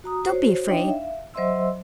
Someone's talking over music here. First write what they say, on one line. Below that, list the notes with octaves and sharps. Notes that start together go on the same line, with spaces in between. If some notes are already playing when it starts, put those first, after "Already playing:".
Don't be afraid.
F#4 A#5 D#6
F#4 C5 C#5
D4 D#4 C#5 D#5 G5
E5 F5
F#3 C5 D#5 E5 C6 E6